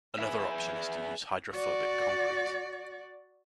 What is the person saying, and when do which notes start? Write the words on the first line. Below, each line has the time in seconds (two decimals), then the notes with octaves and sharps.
Another option is to use hydrophobic concrete.
0.19 G#4 B4 E5
1.52 F#4 D5